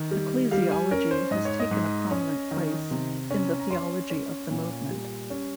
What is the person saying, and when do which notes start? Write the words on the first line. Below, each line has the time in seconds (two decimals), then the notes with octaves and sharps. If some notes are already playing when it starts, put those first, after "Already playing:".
Ecclesiology has taken a prominent place in the theology of the movement.
Already playing: D#3
0.11 G3
0.51 G3 F5
0.72 G#5
0.91 C#4 A#4
1.11 C5
1.31 G#2 D#5
1.45 C#5
1.60 D#5
1.71 G#2
2.11 C#4
2.51 D#3
2.91 C3
3.31 C#4
3.59 A#5
3.71 C#4 C6
4.10 C#4
4.51 A#2
4.91 G3
5.30 C#4